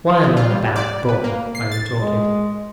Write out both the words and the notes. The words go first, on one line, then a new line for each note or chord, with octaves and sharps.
"Why am I a bad boy?" I retorted.
E3
F4
G3
D5
B4
A#3
C7
A6
G#3